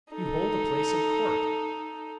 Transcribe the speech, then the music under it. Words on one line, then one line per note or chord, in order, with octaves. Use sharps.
You hold a place at court.
D#4 A4